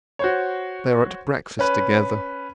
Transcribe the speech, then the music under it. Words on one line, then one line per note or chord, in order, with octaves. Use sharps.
They are at breakfast together.
F#4 C5 C#5
C#4 B4